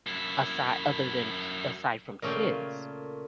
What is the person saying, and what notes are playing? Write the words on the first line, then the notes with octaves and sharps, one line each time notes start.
asi other than aside from kids.
F#2 E4
A#2 C#3 A3 C#4 F5 G5